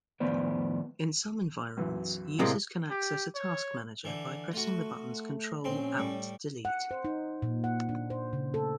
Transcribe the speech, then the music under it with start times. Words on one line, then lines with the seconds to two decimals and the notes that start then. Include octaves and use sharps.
In some environments, users can access a task manager by pressing the buttons Control-Alt-Delete.
0.20 F2 A2 D#3 B3 C5 D5
1.77 B1 F#2 E3
2.39 A2 C3 G#3 A#3
2.90 G4
3.35 C#5
4.05 D3 E3
4.53 A3 F4 F#4
4.95 A3
5.64 A#1 C4 C#4 C6
5.97 A2 G3
6.65 F#5
6.91 C5
7.05 D#4
7.42 A#2
7.64 F#5
7.89 D4
8.10 C5
8.33 C#3
8.54 A4